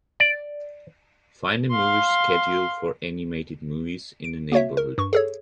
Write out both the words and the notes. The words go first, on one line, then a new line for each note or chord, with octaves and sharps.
Find the movie schedule for animated movies in the neighborhood.
D5
F5 C6
D7
A#3 F#4 C#5 E5
A#4
G2 C#6
G#4 A4 C#5